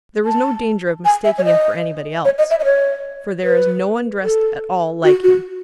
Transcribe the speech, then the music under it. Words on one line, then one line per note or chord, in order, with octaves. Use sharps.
There was no danger of mistaking him for anybody else, for there is no one dressed at all like him.
A5
G#5
E5
C#5
D#5
C#5
D#5
E5
D#5
C#5
B4
A4
F#4
F#4